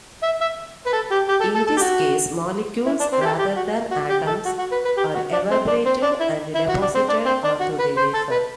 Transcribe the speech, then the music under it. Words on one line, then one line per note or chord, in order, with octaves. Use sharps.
In this case, molecules, rather than atoms, are evaporated and deposited onto the wafer.
E5
E5
B4
A4
G4
G4
A4
A4
A4
G4
F#4
E4
D4
C4
G4
A4
G4
F#4
F#4
G4
A4
F#4
F#4
B4
B4
G4
F#4
D4
C4
D4
C4
D4
E4
E4
F#4
D4
C4
D4
C4
D4
F#4
B4
C5
A4
B4